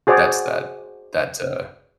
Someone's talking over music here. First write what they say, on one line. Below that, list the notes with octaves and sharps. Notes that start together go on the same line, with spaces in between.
that's that that's uh
F#4 G#4 C5 D5 F#5